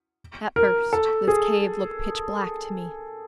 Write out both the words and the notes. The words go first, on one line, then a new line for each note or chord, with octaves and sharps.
At first this cave looked pitch-black to me.
A#4
A4
G#4